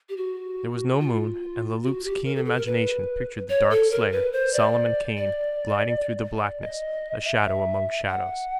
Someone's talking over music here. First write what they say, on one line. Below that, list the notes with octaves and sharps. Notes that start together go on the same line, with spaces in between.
There was no moon, and Le Loup's keen imagination pictured the dark slayer, Solomon Kane, gliding through the blackness, a shadow among shadows.
G4
F#4
F4
F#4
G4
A#4
A4
A4
A#4
B4
C#5
A4
A#4
B4
C5
D5
D5
D5
D#5
E5
E5
F#5